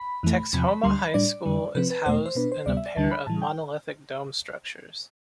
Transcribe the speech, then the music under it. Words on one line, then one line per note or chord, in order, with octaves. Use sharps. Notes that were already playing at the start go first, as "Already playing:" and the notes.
Texhoma High School is housed in a pair of monolithic dome structures.
Already playing: B5
F2 E3 A3
E2 C3 F3 B5
B5
D2 D3 G3 C6
B5
A2 G3 D4 D5
F2 D3 G3
C3 F3 C4 B4
B4
E2 B2 A3 C5
C5
B2 B3 D4 B4
C5
D2 C3 G3 B3 D5
E5
D5
D2 D3 G3 D4 A5
B5
A2 E3 G3 A5
G5